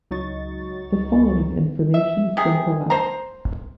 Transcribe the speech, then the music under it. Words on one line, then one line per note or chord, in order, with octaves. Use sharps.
The following information is from Howat.
C#2 F#3 D#4 C#6 A6
E5
C3 G#4
C5 A#5